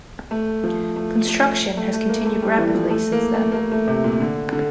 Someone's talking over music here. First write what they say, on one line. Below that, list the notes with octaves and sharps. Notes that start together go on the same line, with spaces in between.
Construction has continued rapidly since then.
A3
F3
A3
A3
A3
A3
A#3
A3
G3
E3
F3
A3
A#3
A3
A#3
A3
A3
C3
A#2
D3
D3